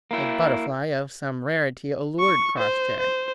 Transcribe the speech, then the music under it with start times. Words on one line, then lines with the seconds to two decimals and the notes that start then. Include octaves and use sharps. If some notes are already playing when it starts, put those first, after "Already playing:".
A butterfly of some rarity allured Crossjay.
0.11 A#3 E4
2.20 C#6
2.58 C5
2.99 C5